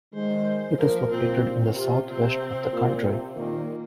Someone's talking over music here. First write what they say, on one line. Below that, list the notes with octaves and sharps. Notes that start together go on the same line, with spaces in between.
It is located in the southwest of the country.
D#3 G#3 C5
F3 A#3 A#4
A#2 C4
C3 F4
C3 C4
A#2
C3
A#2 D#3 A#3